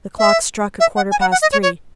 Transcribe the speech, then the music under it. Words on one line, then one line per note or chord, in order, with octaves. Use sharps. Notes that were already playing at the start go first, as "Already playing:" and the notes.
The clock struck a quarter past three.
E5
E5
F#5
G#5
F#5
F#5
D#5
C#5
C#5